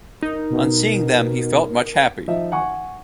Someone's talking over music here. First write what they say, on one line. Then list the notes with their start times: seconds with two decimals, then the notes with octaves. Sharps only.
On seeing them he felt much happy.
0.23 D#4 A#4
0.50 B2
2.28 F3 D#4 E5
2.52 F#5 G#5 C#6